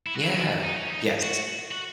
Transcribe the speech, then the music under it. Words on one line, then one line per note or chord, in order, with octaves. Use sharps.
Yeah. Yes.
E4
F#4
E4
E4
D#4
C#4
D#4
F#4
F#4